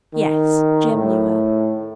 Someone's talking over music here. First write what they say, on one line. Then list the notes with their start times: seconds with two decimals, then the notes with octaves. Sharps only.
Yes, Jem knew her.
0.14 D#3
0.90 A2